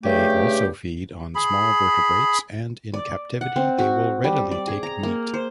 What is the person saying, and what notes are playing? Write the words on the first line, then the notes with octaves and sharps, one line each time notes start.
They also feed on small vertebrates and in captivity they will readily take meat.
G2 C#3 A3 G4
G#4 B5
D5
F#5
C4
F#4
G3
D5
G#4
A#5
A#3
C5